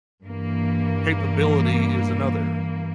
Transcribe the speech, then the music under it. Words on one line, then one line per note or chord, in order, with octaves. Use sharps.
capability is another.
G2 E3 A#3